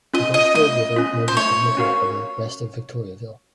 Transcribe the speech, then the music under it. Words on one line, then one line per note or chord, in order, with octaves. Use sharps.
The Bulstrode River merges with Nicolet River west of Victoriaville.
C#4 F4 D#5
D#5
A3 D#5
C#4 F4
C5
A3 C#5
C#4 F#4 A#4 F5